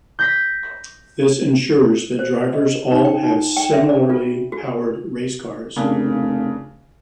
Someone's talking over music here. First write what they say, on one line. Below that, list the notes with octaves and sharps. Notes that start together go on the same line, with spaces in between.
This ensures that drivers all have similarly powered racecars.
G6 A#6 B6
C5
D#5
D#4
G5
D#4
G5
E5
D5
F4
F#4
F1 C#3 A#3 D4